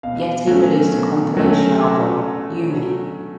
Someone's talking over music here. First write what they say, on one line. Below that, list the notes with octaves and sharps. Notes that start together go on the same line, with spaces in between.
Yeti released a compilation album, Yume!
B2 F5
F#3 A3 C#4
B2
F#3 A3 C#4